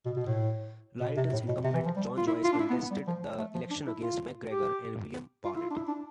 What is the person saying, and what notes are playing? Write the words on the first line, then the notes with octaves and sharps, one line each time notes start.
Lyttelton's incumbent, John Joyce contested the election against McGregor and William Barnett.
B2
B2
A2
B2
C3
A2
B2
C3
E3
F3
G3
F4
E4
F4
D4
E4
B3
B3
G3
F3
A3
F3
D4
E4
F4
G4
F4
E4
F4
D4
E4
D4